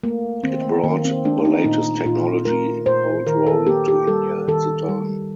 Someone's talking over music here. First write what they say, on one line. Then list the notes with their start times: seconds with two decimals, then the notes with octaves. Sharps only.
It brought the latest technology in cold rolling to India at the time.
0.03 A3 A#3
0.44 D#3 C4
0.84 D#3 A#3
1.05 C4
1.25 A3 D4
1.45 D#4
1.65 A#2 D#4
2.06 A#2 F4
2.45 A3 A#4
2.86 A#2 C5
3.27 D#3 A#4
3.47 A4
3.66 A#3 G4
3.88 G4
4.07 G3 A4
4.48 D#3 A4
4.88 G3